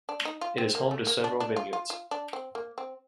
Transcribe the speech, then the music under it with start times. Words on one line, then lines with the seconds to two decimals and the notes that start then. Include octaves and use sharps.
It is home to several vineyards.
0.09 D4
0.25 D#4
0.41 F4
0.58 C4
0.75 A#3
0.91 A3
1.07 A#3
1.24 D4
1.40 D4
1.56 F4
1.73 F4
1.90 F4
2.11 D4
2.33 C4
2.55 A#3
2.78 C4